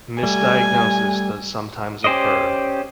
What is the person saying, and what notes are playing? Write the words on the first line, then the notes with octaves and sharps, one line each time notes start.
Misdiagnosis does sometimes occur.
G3 A3 G#5
C#4 G4 C5 D5 D#5